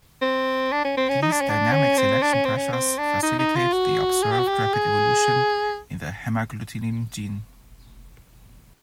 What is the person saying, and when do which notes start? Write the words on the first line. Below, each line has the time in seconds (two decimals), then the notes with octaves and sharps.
These dynamic selection pressures facilitate the observed rapid evolution in the hemagglutinin gene.
0.22 C4
0.72 D4
0.84 C#4
0.97 C4
1.09 C#4
1.22 D#4
1.32 D4
1.41 C#4
1.49 D4
1.73 C#4
1.98 C4
2.22 D4
2.34 C#4
2.45 C4
2.56 C#4
2.72 C4
2.98 D4
3.23 D#4
3.39 D#4
3.56 F4
3.72 F#4
4.23 G#4
4.32 G4
4.39 F#4
4.48 G4
4.73 G#4